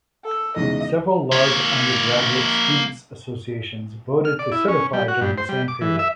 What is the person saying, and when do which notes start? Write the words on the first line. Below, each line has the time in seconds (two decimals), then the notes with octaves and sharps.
Several large undergraduate students' associations voted to certify during the same period.
0.25 A4
0.56 E2 G#2 C#3 D#5
1.32 A#3 C#5
4.25 F6
4.39 D5
4.52 E4
4.68 C#4
4.93 G3
5.08 F#4
5.21 G2
5.38 C5
5.49 G3
5.68 D6
5.81 E3
5.99 E5